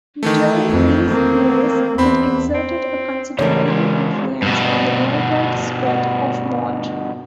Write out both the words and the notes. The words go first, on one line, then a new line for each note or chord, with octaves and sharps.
During these years, it exerted a considerable influence on the worldwide spread of mod.
D#3 E3 A3
F2
A#3 C4
E2 C4 B5
C4
G#2 C#3 E3 G3 A3 A#4 C#5
E2 G#3
G2 B2